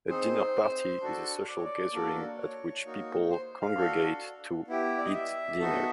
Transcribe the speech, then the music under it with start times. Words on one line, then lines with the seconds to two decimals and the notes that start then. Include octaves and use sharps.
A dinner party is a social gathering at which people congregate to eat dinner.
0.09 C4 D#4 G#4 C5
1.01 D4 F#4 A4
1.47 D5
1.55 C#5
1.64 D5
1.93 A#3 D4 F#4 A4
2.39 C#5
2.85 A#3 D#4 F#4
3.30 C5
3.61 F5
3.77 D4 F#4 A4
4.68 B3 E4 G4
4.98 D5
5.05 D#5
5.14 E5
5.60 B3 D#4 F#4 A4